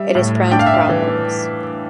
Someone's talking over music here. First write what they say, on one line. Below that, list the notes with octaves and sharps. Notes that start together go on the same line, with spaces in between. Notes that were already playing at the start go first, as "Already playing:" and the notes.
It is prone to problems.
Already playing: G3 E5
A2
D4 G5
F5
E5
F5
E3